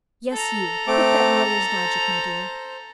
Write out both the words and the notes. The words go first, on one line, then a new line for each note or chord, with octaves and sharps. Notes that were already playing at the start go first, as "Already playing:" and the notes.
"Yes, you; quit that lawyer's logic, my dear."
A4 A#5
A3 C4 D6
C5